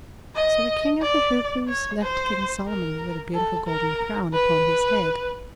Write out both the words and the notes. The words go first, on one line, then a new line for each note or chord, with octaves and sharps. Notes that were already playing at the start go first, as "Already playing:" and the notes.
So the King of the Hoopoes left King Solomon with a beautiful golden crown upon his head.
D#5
D5
C#5
C5
A#4
A4
A#4
B4